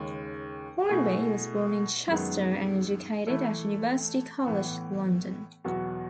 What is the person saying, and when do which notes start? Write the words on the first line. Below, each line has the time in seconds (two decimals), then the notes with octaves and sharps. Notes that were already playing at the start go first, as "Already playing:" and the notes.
Hornby was born in Chester and educated at University College London.
Already playing: D#2 C#3 G#3 C#4
0.89 B2 A3 E4 G#4
2.08 F#2 D#3 G#3 B3
3.27 E3 A3 E4 A4
4.46 A2 E3 B3
5.64 E2 B2 F#3 B3 F#4